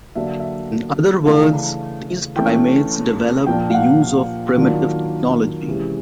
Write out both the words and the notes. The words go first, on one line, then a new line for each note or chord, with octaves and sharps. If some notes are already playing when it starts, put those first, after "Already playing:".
In other words, these primates developed the use of primitive technology.
D3 F#3 A#3 D4 E5
E5
C#3 E3 A3 D4 F5
E3 A3 C#4 G5
A#2 F3 A#3 D4 G5
F5
F#5
F5
D#3 F#3 A#3 D4 F4
C3 E3 G#3 C#4